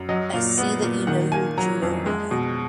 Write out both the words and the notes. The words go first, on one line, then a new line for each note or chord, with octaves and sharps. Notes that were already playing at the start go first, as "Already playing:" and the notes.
I see that you know your Judo well.
Already playing: F#2
F#3 D#5
A#2 F5
B3
A#2
D#3 F#5
A#3 G#5
F#3 A#5
F2
G#3
B2